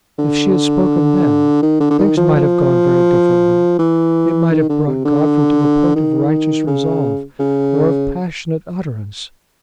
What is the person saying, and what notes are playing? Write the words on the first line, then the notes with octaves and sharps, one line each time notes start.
If she had spoken then, things might have gone very differently: it might have brought Godfrey to the point of righteous resolve or of passionate utterance.
D3
D#3
D3
D3
D#3
F3
F3
E3
D#3
D3
C3
D3
D#3
C#3
C#3